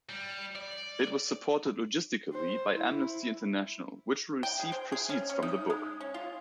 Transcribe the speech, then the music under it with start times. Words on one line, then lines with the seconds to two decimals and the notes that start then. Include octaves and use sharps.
It was supported logistically by Amnesty International, which will receive proceeds from the book.
0.10 G3
0.55 D5
2.33 C5
2.74 E4
4.43 G5
4.60 G#4
4.72 C5
4.92 G#4
5.09 C#4
5.29 C#4
5.43 D#4
5.70 G#3
6.00 C#4
6.14 F4